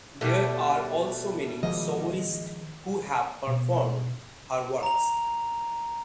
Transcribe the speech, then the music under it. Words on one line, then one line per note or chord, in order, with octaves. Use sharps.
There are also many soloists who have performed her works.
B2 G3 A3
D#3 F3 G#3 D#5
B2
A#5 F7